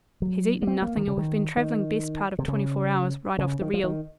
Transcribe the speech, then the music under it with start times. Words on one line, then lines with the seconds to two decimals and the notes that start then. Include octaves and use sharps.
He's eaten nothing, and we've been travelling best part of twenty-four hours right off the reel.'
0.22 F#3
0.62 A#3
0.67 C4
0.82 A#3
0.97 D#3
1.07 C#3
1.18 D#3
1.57 D#3
2.39 C3
2.48 C#3
3.38 C#3
3.61 D#3
3.74 F3
3.84 D#3